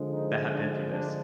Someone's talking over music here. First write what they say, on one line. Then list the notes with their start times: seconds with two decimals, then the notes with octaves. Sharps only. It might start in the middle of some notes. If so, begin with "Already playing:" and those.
that have been through this,
Already playing: D3 F3 G#3
0.12 D#4
0.52 D4
0.92 D4